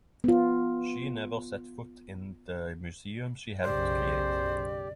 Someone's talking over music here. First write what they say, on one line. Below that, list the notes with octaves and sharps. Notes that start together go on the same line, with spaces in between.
She never set foot in the museum she helped create.
B3 F4
B1 F#2 C#3 G4 C5 D5